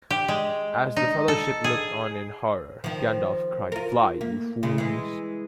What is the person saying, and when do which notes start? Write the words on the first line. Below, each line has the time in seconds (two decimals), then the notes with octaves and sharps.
As the Fellowship looked on in horror, Gandalf cried Fly, you fools!
0.11 G4
0.28 G#3
0.97 D#4
1.28 A4
1.64 G#4
2.84 D#3 F3
3.72 F4 A#4
4.21 A#3
4.63 C#3 G#3
4.78 E3 G#3